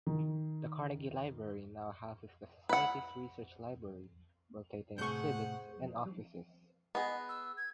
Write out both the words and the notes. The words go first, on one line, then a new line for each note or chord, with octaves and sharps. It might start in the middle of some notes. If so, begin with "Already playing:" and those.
The Carnegie Library now houses the Society's research library, rotating exhibits, and offices.
D#3
B4 F#5
A2 C3 G#4 C5 F#5 C#6 G6
B3 G#4 D#5
E6
G#6